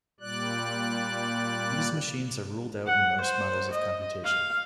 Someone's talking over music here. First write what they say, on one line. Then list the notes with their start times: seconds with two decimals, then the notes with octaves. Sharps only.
These machines are ruled out in most models of computation.
0.20 A#2 G3 D5 F#6
2.86 F#5
3.22 C5
3.72 D#5
4.24 F5